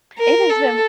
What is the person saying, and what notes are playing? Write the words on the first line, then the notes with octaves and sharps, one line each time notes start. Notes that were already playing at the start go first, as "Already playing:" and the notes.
It has been
A#4
A4